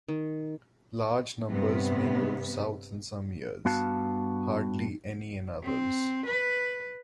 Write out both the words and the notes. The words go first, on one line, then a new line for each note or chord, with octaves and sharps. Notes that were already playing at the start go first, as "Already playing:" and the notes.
Large numbers may move south in some years; hardly any in others.
D#3
G2 C3 B3
G2 B3 F#4 F5 A5
C4
B4